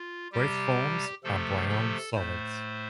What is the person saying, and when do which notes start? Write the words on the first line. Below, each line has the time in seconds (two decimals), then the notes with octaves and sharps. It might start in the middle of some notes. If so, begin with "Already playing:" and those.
Both forms are brown solids.
Already playing: F4
0.32 C3 G3 G4
1.24 C3 F3 A3 A4
1.69 A4
2.15 A2 A3 C5